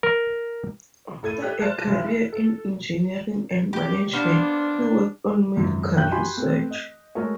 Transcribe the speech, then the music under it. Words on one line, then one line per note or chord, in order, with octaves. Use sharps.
After a career in engineering and management, he worked on medical research.
A#4
A2 A4 G#6 D#7
G4 A4 F#6 B6
C5 D5 A5 F6 F#6 G#6
F1 A#1
E4
A4
G4
A#3 B3 D4 C5
G#1 C#2 F#2
B1 F#2 D3 G5 F#6 G6
F#4 G4 G#5 B5 C6
A3 B3 C4 A4
D#5
G#3 A3 F#4 A4 A#4 C#5